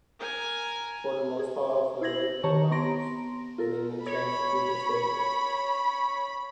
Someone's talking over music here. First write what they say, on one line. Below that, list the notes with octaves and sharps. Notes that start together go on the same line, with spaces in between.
For the most part the original boundaries remain unchanged to this day.
A#4 G#5
G#4
E4 C5 G#6 A#6 F#7
D#3 G4 C#5 A5 A#5 C#6
B3 A#5 C6 A#6 D7
F4 A4 A#4
C#5 B5